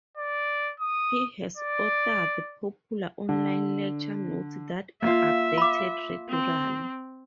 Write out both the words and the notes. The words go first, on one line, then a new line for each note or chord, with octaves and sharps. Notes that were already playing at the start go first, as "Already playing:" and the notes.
He has authored popular online lecture notes that are updated regularly.
D5
D#6
D5
D3
A#3 F4 E5 F5
B5 D6
C4